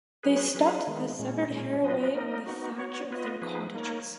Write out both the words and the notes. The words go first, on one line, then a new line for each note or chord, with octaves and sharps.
They stuffed the severed hair away in the thatch of their cottages.
F#3 C#4 G#4 B4
F#3 C#4 G#4 B4
D#3 G#3 B3
A#2 G#3 C#4
A#2 G#3 C#4
F#3 B3 F4 B4 D#5
A#3 D#4 A#4 D#5
B3 D#4 F#4
B3 F#4 C#5
B3 F4 B4 D#5
F3 B3 D#4 G#4 B4
A#3 D#4 A#4 C#5